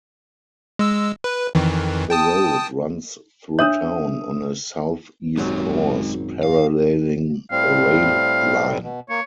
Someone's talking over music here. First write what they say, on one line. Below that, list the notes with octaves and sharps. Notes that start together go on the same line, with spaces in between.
The road runs through town on a southeast course, paralleling a rail line.
G#3 E6
B4
F2 D#3 E3
G5 A5 D#6
D4 C#5 E5 D#6
G#1 F#2 A#2 F#3 G#3 G4
F5
A2 G3 C4 F5
B2
A#3 C#5